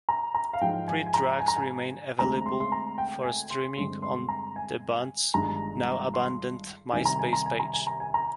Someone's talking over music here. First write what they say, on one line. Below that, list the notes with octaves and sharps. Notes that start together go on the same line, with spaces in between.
Three tracks remain available for streaming on the band's now-abandoned MySpace page.
A#5
A#5
F5
G#2 F3 G#3 D#4 G5
G#5
G#5
A#5
G#5
A#5
G#5
D2 D3 G#3 C4 A#5
C6
C6
A#5
G5
G#5
C6
G2 D3 G#3 C4 C6
C6
A#5
G#5
G1 G2 D#3 G#3 D4 A#5
C6
C2 C3 D#3 G#5
A#5
G#5
A#5
G#5
A#5
G#5
A#5
G#5
A#5